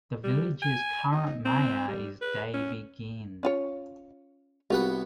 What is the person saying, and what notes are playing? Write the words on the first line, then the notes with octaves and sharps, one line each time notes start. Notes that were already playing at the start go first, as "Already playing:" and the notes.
The village's current mayor is Davy Ginn.
G3
G#5
D#4
C4
G3
B4
C#4
C#4 F4 C#5
C2 B3 F4 F#4 F#5